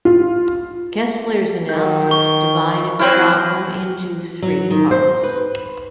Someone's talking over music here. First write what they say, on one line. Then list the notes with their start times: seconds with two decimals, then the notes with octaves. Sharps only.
Kessler's analysis divided the problem into three parts.
0.05 F4
1.69 D#3 G6
2.11 C#6
3.00 F#3 C4 E4 F6 G6 F#7
4.42 F#3
4.71 D#3
4.91 C5
5.24 B4